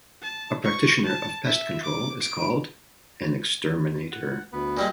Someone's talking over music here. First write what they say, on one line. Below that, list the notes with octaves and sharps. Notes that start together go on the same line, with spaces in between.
A practitioner of pest control is called an exterminator.
A5
C#6
A5
E5
D6
D7
F#5
D2 B3 B4
A#2 G3 G#3